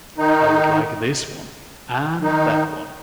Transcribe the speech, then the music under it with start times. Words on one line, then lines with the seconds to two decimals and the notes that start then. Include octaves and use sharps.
I would like this one and that one.
0.18 D#3 D#4
2.22 D#3 D#4